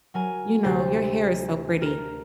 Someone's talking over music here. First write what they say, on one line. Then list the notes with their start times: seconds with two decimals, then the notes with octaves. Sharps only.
you know, your hair is so pretty."
0.14 F#3 A#4 G#5
0.64 D2 C3 G4 C5 A6 A#6
1.82 A#4 A#5